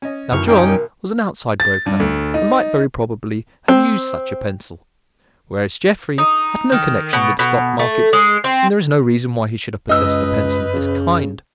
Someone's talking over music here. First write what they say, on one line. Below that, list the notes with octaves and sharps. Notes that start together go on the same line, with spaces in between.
Now John was an outside broker and might very probably have used such a pencil, whereas Jeffrey had no connection with the stock markets and there is no reason why he should have possessed a pencil of this kind.
C#4 C#5 D#5
B1 F#2 A2 D#3 C#6 F6
C#4 D#4 G5
A#4
A6
G2
D2
D#4
C4
D#4
D#3
B2
B2
A3
G#3
C4
C#2 F#2 B4 D#5 E6
C#3